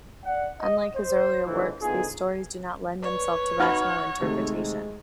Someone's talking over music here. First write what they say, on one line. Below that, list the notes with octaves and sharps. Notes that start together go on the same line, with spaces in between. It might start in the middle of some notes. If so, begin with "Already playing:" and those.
Unlike his earlier works, these stories do not lend themselves to rational interpretation.
D5 F#5
D#5
C5
C#2 A#2 D3 E3
D3 B3 D#4 F4 G#4
B4 C#5 D5
D#4 F#4 F#5 B5 F6 G#6
C3 D#3 G#3 A3